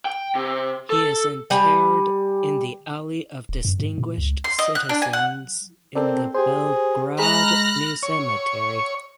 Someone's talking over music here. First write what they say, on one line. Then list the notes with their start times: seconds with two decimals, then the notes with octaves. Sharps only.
He is interred in the Alley of Distinguished Citizens in the Belgrade New Cemetery.
0.05 G5
0.35 C3
0.90 A4
1.50 G3 G#5
3.49 D1
3.65 F#2
3.80 G#2
3.98 A#2
4.18 C#2
4.44 C6
4.59 D#5
4.75 F#6
4.89 D4
5.02 G#5
5.13 F#5
5.95 C4 A4 A#4 D5
6.34 G4 G#4 C5
7.19 G#3 G#4 A#5 B5 F6 F#6 A#6
7.54 B5
8.03 C#5